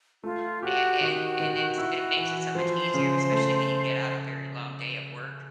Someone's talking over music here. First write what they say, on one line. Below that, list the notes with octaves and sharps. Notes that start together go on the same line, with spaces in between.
a and and it's it makes it so much easier, especially when you get out a very long day at work.
A3 F4
F#4 G4
D#3 F#4
D#3
E4
E3
F3 C5
C#3
A3